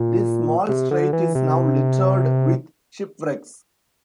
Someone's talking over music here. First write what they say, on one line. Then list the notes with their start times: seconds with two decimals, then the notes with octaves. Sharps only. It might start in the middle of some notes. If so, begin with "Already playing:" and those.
This small strait is now littered with shipwrecks.
Already playing: A#2
0.69 C3
0.91 D3
1.13 E3
1.35 C3